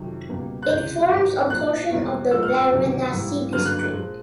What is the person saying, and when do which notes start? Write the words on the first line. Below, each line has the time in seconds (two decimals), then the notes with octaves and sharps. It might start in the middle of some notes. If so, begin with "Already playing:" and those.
It forms a portion of the Varanasi district.
Already playing: F2 C3 D#3 F#3
0.29 C#2 B2 G3 A#3
0.62 F#6
0.69 C#2 C3 E3 G#3 G6
1.10 G#2 E3 G#3
1.50 A#2 F3 A#3 F#6
1.90 E2 B2 G3 A#3
2.31 A#2 F3 A#3 E6
2.43 F6
2.54 E6
2.71 C#2 C3 D#3 F#3 A#3
3.12 G#2 E3 G3 A#3
3.52 G2 D3 F#3 A#3 F6
3.65 F#6
3.79 F#6
3.93 A#2 F3 G#3